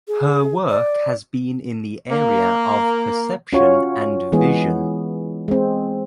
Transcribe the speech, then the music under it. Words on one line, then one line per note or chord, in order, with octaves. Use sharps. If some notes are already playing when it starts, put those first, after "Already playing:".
Her work has been in the area of perception and vision.
G#4
D5
A#3
C#4 F4 F#4 C#5
E3 G#3 B3 G#4
G#3 C4